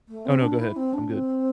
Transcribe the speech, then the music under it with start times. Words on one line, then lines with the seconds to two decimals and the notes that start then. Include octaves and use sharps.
Oh, no, go ahead. I'm good.
0.09 A3
0.26 C4
0.42 D4
0.59 E4
0.76 C4
0.93 D4
1.10 C4